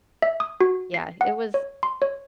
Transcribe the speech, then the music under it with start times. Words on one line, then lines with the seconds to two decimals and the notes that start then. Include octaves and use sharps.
Yeah, it was
0.22 E5
0.40 D#6
0.61 F#4
0.94 C7
1.21 F#5
1.54 C#5
1.83 C6
2.02 C#5